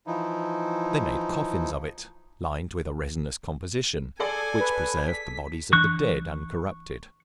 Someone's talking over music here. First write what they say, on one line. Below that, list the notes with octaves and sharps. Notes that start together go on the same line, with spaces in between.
They made coffins of it, lined with a resinous composition, which preserved the bodies of the dead uncorrupted.
E3 F3 D#4 E4
G#4 A4 D5 G#5
B4
B6
E3 D4 C#6 F#6